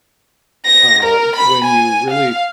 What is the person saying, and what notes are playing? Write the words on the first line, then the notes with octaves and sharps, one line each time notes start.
uh, when you really
A#6
A#4
B5
G#5
F5